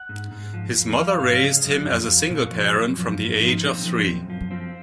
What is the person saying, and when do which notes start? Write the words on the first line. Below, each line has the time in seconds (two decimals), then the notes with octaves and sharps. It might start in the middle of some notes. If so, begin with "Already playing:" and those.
His mother raised him as a single parent from the age of three.
Already playing: F#5
0.09 G#2
0.31 G#2
0.53 F3
0.75 F2
0.97 F3 F5
1.20 G#2 F5
1.34 C#5
1.42 C#3 D#5
1.57 G#4
1.64 F#2
1.71 F#4
1.86 F2 F4
2.08 F2
2.30 A#2 F#4
2.52 F3
2.74 F#2
2.97 F3
3.19 G#2
3.33 D#4
3.41 F3
3.48 D#4
3.63 A#2 C4
3.85 F3
4.07 F#2
4.30 F3
4.51 F3 C4